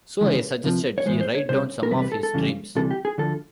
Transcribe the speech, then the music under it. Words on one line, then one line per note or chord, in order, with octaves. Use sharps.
So I suggested he write down some of his dreams.
C#2 C#3 E3 G#3
C2 C3 F3
C#5
A2 E3 G#3 C5
C5
C#5
C#2 C3 G3 C5
A#4
E2 C3 E3 G3 B4
B4
A4
A4
F2 C#3 E3 G3
D2 C3 E3 G3 A4
G4
G#4
D2 D3 F3 A4